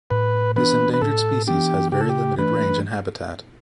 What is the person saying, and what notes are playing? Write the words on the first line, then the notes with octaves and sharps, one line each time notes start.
This endangered species has very limited range and habitat.
A2 B4
E3 B3 D4 B4
B4
A2 A4
E3 B3 D4 G4
C#3 G4
A4
G4
E3 A3 D4 B4